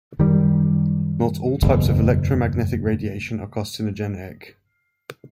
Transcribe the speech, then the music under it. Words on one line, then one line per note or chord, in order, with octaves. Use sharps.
Not all types of electromagnetic radiation are carcinogenic.
F#2 D#3 G3
F#1 E2 B2